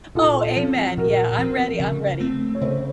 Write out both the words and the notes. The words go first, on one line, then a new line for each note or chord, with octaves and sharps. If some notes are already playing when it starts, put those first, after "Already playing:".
Oh, amen. Yeah. I'm ready. I'm ready.
A#2 F4 A4
F3 C4
A#2 F#4 A#4
F3 C4
C#3
A3 C4
C#5
C#3 A4 C5